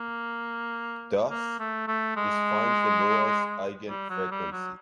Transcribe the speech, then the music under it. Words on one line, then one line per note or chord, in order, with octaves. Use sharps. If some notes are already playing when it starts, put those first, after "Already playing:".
Thus, this finds the lowest eigenfrequency.
Already playing: A#3
A#3
A3
A3
G#3
G3
F#3
G3
F#3